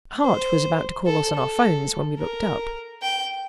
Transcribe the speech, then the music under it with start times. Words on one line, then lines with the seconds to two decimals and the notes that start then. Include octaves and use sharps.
Hart was about to call us on our phones when we looked up.
0.21 C5
1.06 A4
1.35 A4
2.18 A#4
3.02 G5